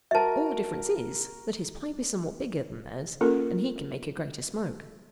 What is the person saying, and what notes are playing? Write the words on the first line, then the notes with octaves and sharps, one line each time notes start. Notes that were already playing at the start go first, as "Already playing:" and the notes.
All the difference is, that his pipe is somewhat bigger than theirs and he can make a greater smoke.
F#4 A#4 E5 A5
A#3 C#4 F4 A4 A#4